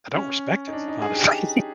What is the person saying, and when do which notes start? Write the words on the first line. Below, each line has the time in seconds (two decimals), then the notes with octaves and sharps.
I don't respect it, honestly,
0.14 C#4
0.67 D#4
0.73 D4
0.88 D#4
1.02 G#4
1.16 G4